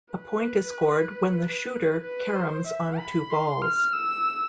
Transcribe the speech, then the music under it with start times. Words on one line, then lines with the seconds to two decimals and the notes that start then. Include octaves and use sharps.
A point is scored when the shooter caroms on two balls.
0.14 B4
2.04 B4
2.35 C5
2.67 E5
2.98 B5
3.30 C6
3.61 F6
3.93 E6